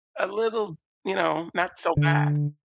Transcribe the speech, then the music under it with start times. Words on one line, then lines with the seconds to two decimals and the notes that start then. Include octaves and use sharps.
a little, you know, not so bad.
1.97 D3